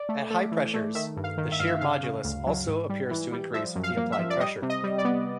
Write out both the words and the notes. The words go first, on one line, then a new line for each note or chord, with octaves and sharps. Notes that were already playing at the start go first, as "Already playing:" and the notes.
At high pressures, the shear modulus also appears to increase with the applied pressure.
Already playing: D5
A3
A3
E3
A3
D#3 E5
G2
F5
D#3
E5
G2 F5
E5
C#3 F5
C#3
D2
F#3
G#2
G3
E3
G3
F3 E5
F#2
F5
A#3
E5
F3
D5
G3 D#5
C3
D#5
G3
D5
B3